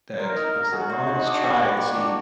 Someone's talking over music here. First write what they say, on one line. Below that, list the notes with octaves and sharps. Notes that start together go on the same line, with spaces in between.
that they said, "Well, let's try and see
A#4 C5
D#4
F5
F#4 G#4
C5
D#4
D4
G3
G3
A#3
D4